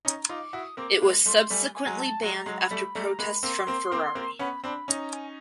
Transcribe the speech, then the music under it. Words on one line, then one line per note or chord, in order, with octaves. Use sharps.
It was subsequently banned after protests from Ferrari.
C#4 D#4 A#5
D#4 F4 D6
E4 F#4 D#6
A#3 C4 D6
G#3 A#3
G3 A3 C6
G3 A3 G#5
G#5
F#3 G#3
A5
F#3 G#3 A#5
F#3 G#3
B5
G3 A3
G3 A3 A#5
G#3 A#3 B5
A#3 C4 C6
A#3 C4
A#3 C4
A#3 C4
B3 C#4 B5
C4 D4 B5
C#4 D#4 A#5
G#5